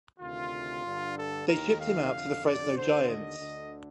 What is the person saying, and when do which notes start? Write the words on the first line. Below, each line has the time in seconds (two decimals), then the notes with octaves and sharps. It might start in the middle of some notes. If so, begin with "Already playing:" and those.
They shipped him out to the Fresno Giants.
0.20 D2 C3 D#3 F4
0.84 G2 D3
1.16 A4
1.47 D#2 D#3 A#4
1.80 F5
2.12 F2 D3
2.44 D5
2.75 D#2 D3 C5
3.07 D#5
3.39 D2 D3